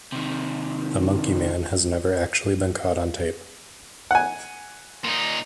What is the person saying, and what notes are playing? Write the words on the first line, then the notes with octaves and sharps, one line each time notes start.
The monkey man has never actually been caught on tape.
C3 D#3
F#5 G#5
A#2 D#4